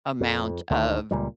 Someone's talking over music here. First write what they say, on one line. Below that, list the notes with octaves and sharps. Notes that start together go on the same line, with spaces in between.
amount of
F2
D2 D3 D#3
C#2 A#2 G3